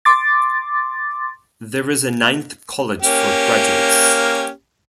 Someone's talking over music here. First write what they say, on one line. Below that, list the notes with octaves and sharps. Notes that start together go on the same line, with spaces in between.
There is a ninth college for graduates.
C6 D6 A6
A#3 C#4 G4